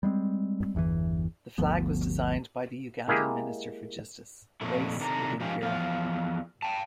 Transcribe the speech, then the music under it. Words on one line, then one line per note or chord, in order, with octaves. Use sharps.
The flag was designed by the Ugandan Minister of Justice, Grace Ibingira.
G3 G#3 B3 C4
G1 E2 B2 E3
G1 D2 F3 B3
G#3 A#3 E4 G4 G#4
F2 A#2 A3 E4
C3 D#3 D4 A4 A#4 A#5
G#2 F3 C#4 G4 A#4 F5
E2 F3 F5
G5 A5